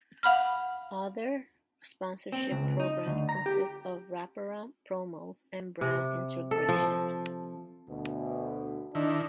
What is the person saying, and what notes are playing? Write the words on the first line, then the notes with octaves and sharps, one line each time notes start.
Other sponsorship programs consist of wraparound promos and brand integration.
F5 F#5 B5 F6
C4
C#2
D#4
D2
A#5
G4
C3
A4
F3
D2 B2
D#3 D4 E4